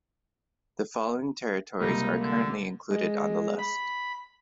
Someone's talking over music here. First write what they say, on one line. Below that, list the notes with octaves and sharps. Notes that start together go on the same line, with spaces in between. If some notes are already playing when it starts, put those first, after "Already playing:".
The following territories are currently included on the list.
C#2 C3 G3 A#3 D#4
D3
G#3
B5